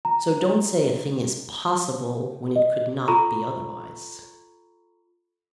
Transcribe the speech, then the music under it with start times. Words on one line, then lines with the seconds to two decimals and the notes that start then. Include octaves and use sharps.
So don't say a thing is possible, when it could not be otherwise.
0.05 A#5
2.56 D#5
3.08 F4 A4 A#5 B5 C#6